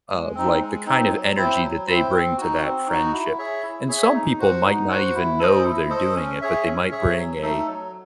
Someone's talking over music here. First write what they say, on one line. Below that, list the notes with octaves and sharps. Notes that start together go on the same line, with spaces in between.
Of, like, the kind of energy that they bring to that friendship, and some people might not even know they're doing it, but they might bring a
G#3
C4 D#4
G#3
C4 D#4
F#3
C4 E4 C5
F#3
C4 E4 C5
C4
D#4 F#4
C4
D#4 F#4
E4
G#4 C#5 E5
E4
G#4 C#5 E5
D#4
F#4 C5 F#5
D#4
F#4 C5 F#5
E4
A4 C5 D#5
E4
A4 C5 D#5
C#4
G#4 C#5 E5
C#4
G#4 C#5 E5
F#3
A3 D#4 A4
F#3